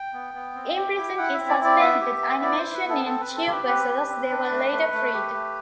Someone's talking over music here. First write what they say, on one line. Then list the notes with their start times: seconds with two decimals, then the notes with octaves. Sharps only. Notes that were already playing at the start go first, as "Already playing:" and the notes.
Imprisoned in suspended animation in tube vessels, they were later freed.
Already playing: G5
0.14 B3
0.34 B3
0.55 C4
0.76 G4
0.97 E4
1.18 E4 F#5
1.34 C4 E5
1.49 D5
1.59 E4 D5
1.80 B3 E5
2.01 G4
2.22 B3
2.42 E4 D5
2.58 C5
2.63 E4
2.74 B4
2.84 B3 A4
3.05 C4 A4
3.21 B4
3.26 C4
3.36 A4
3.47 G4 B4
3.68 C4 B4
3.88 G4
4.09 C4
4.30 D4
4.50 A3
4.71 A3
4.92 A3
5.13 G4
5.34 A3